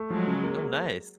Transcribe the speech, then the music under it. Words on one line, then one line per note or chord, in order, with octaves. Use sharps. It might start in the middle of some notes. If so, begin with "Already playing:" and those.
Oh, nice.
Already playing: A3
F3 F#3 G#3
C#3
A#3